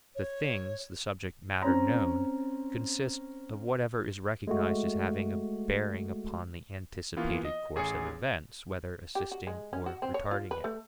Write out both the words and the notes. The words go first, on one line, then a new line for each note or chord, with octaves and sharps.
The things, the subject matter known, consist of whatever is recognized as having a bearing upon the anticipated course of events, whether assisting or retarding it.
C#5
C4 C#4 A#5
G#3 A3 F#4
E3 A#3 B3 F4
D#5
A1 G#4 C#5 G#5 C#7
G4
F#4
G#3
C#4
F#4
C4
C#5
F4
B4
A3